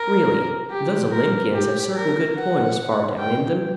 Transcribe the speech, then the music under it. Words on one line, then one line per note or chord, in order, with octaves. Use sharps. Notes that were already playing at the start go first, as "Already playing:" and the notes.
Really, those Olympians have certain good points, far down in them.
Already playing: A#4
G4
A#4
G4
A#4
F#5
G5